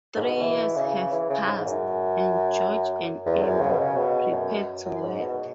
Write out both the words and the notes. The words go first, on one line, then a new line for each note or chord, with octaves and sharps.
Three years have passed, and George and Emily prepare to wed.
G#2
B2
E3
C#3
E3
C#3
G#2
G#2
F#2
E2
F#2
C#3
B2
C#3
B2
F#2
F#2
G#2
B2